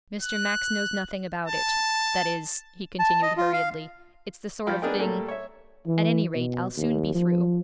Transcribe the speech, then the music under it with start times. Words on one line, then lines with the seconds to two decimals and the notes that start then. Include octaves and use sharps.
'Mr. Max knows nothing about it--that is,' he continued hurriedly, 'it's the sort of thing-- At any rate, I'll soon be through.'
0.22 F#6
1.48 A5
2.99 A5
3.22 D#5
3.37 F4
3.53 F5
4.67 G#2 F3 F5 G5 B5
4.82 B3 D4 G#4 A#4 D#5 G5
4.99 A#2 G3 A3 A#3 A4
5.28 C#5 E5
5.87 E3
6.35 B2
6.77 D#2
7.14 F3